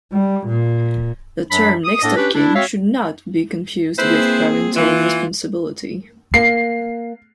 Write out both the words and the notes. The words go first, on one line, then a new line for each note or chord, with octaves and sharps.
The term "next of kin" should not be confused with parental responsibility.
G3
A#2
F#2 F#3 D4 B5
D#6
A2 A#3 D4 A4 D#5
C#4 D4 G4 B4
D4 E4
C4 F#4 C#5 E5 F5
A#3 C4 E4 G#4 B4 C5
E3 F4
A#3 C7